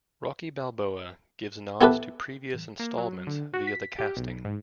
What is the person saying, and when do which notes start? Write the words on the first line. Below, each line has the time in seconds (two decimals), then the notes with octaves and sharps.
"Rocky Balboa" gives nods to previous installments via the casting.
1.81 B3 E4 G4 A4 B4
2.79 A#3
2.98 F#3
3.27 D3
3.54 F#4
3.67 B6
3.99 G4
4.17 B1
4.45 G#2